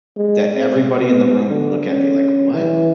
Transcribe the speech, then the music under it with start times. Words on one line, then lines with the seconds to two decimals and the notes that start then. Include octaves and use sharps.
that everybody in the room would look at me like, "What?"
0.17 G#3
0.55 C4
1.01 B3
1.49 D3
1.88 C#4
2.53 E3